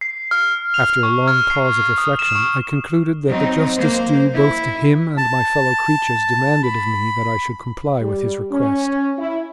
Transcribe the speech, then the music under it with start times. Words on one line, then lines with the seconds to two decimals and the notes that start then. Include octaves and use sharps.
After a long pause of reflection I concluded that the justice due both to him and my fellow creatures demanded of me that I should comply with his request.
0.01 C7
0.31 F6
0.74 F7
1.03 C#6
1.28 F6
1.50 C7
1.98 D#6
2.19 E7
2.35 C#6
3.26 F#3 C4 D#4
3.77 A#3 C5
4.34 E4
5.17 A5
6.63 B5
8.02 G3
8.52 C#4
9.18 E4